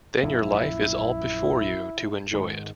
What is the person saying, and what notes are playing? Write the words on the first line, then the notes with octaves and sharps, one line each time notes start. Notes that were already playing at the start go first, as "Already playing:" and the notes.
Then your life is all before you to enjoy it.
A#1 F#2 F3 E4
G#2 D#3 G#3